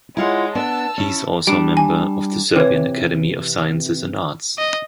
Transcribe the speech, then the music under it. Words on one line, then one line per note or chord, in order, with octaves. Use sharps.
He is also a member of the Serbian Academy of Sciences and Arts.
G#3 E4 F4 C#5 F#5
B3 D4 A5 E6
C#4 E4
G3 D4 D7
G#5
C3 E3 B4 C#5
D#5